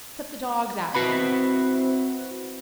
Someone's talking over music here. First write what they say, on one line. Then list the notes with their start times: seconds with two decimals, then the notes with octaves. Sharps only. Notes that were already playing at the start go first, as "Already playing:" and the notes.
'Set the dogs after them.'
0.95 C4 E4 F#4 B4 B5